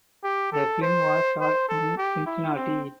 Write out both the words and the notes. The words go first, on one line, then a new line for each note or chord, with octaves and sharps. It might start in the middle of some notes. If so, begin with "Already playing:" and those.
The film was shot in Cincinnati.
G4
A4
C5
C5
A4
G4
E4
C4